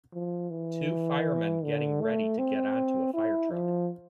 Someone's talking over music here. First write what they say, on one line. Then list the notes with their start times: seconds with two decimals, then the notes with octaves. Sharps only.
Two firemen getting ready to get onto a firetruck.
0.14 F3
0.51 E3
1.64 D3
2.01 A3
2.38 C4
3.14 E4
3.51 F3